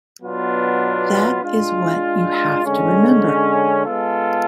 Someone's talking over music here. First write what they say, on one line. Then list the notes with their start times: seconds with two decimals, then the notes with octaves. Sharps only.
That is what you have to remember.
0.22 B2 F#3 B3 D4 F4
1.42 G#3 D4 F4
2.64 D3 G#3 C#4
3.85 G#3 B3 F4 A4